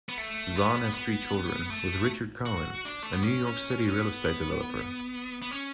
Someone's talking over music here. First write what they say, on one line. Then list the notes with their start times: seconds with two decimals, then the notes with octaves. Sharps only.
Zahn has three children with Richard Cohen, a New York City real estate developer.
0.09 B3
0.18 A3
0.56 B3
0.94 B3
1.70 A3
2.46 F#4
2.85 D4
3.03 A3
3.13 B3
3.22 C#4
3.89 C#4
3.99 B3
5.42 B3
5.51 C#4